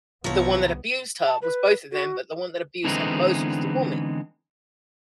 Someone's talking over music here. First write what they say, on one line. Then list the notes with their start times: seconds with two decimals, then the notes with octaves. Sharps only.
the one that abused her was both of them, but the one that abused her the most was the woman,
0.24 C2 C3 E3 F3 B3 C#5 A#5
1.27 A5
1.42 B4
1.92 F#4
2.84 D3 E3 G#3 B3 C4 D#4